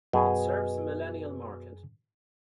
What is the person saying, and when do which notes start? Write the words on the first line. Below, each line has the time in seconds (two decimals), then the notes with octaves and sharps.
It serves the millennial market.
0.13 F#2 B2 G#4 G#5